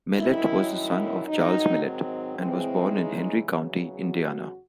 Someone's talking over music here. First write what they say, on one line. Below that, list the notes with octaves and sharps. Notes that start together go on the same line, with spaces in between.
Mellette was the son of Charles Mellette and was born in Henry County, Indiana.
F#2 D#3 F#3 E4
E4
G#2 D#3 F#3 D#4
C4
E2 C#3 E3 G#3 C4
D#4
E2 C#3 F#3
F#4